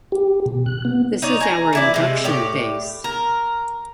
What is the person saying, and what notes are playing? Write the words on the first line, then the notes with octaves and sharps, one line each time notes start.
This is our induction base.
G4
B2
F#6
B3
D#4 C#5 D5
G#4 A#5
E3 E4 D5
C3 G#3
A2 G4 D5
A#4